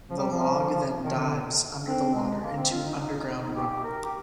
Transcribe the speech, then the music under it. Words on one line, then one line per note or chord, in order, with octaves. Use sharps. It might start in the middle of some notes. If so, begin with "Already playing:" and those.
The log then 'dives' under the water into an underground runout.
F3
G3
F3
D#3
D3
C4
G#3
A#3
C4
F4
D#4
D#4
G4
G4
A#4
G4